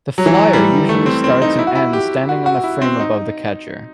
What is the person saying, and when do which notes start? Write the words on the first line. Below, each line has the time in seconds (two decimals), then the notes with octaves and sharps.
The flyer usually starts and ends standing on the frame above the catcher.
0.18 F#3
0.26 E3
0.34 F#3
0.53 G3
0.89 A3
1.06 C4
1.24 C4
1.42 D#4
1.59 E4
1.67 F#4
1.75 E4
1.93 G4
2.29 F#4
2.46 F#4
2.64 E4
2.82 C4
2.99 D#4